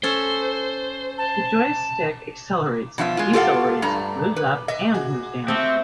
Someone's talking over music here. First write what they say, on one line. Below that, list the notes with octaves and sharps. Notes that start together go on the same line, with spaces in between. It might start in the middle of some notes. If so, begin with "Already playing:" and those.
The joystick accelerates, decelerates, moves up, and moves down.
C#4 A4 C5
A5
B2 F3 F4 E5
G#3 F4
F4 G4 A4 D#5 F5 F#5
G2 A3 A#5
B4
D#5 E5
F#4 G#4
A3 C4 F#4 G4 A4 E5 F5